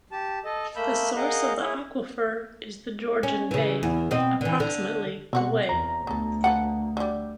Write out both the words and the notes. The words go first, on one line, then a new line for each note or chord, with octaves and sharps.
The source of the aquifer is the Georgian Bay, approximately away.
G4 A5
A4 D#5
A3 A#3 B5 E6 G6
G#4 A#4 D#5 F5 F#5 G6
E4 G#4 C#5
C#4
C#3 E3
E2
B2 C4 D#5
D3 E3
D3
B2 C4 F#4 F#5
E2 A#5
D2 B3 A4
A#3 A4 B4 F#5
D3 G3